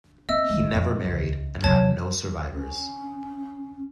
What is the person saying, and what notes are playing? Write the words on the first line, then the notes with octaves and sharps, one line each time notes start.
He never married and had no survivors.
C4 D#5 E5 E6
D#3 G#3
F2
C#2
C3 F#3 C#5 A5 G#6
C#4